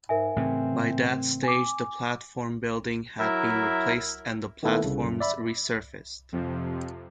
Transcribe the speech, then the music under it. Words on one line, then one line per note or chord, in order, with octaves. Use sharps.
By that stage, the platform building had been replaced and the platforms resurfaced.
G#2 A#4 E5 G#5
A2 C#3 E3 C4
G#5 D6
F#3 E4 A#4 E5
D#3 A3 B3 E4 A4 B4
C2 C#3
F#2
D5 E5 B5
F2 C3 F3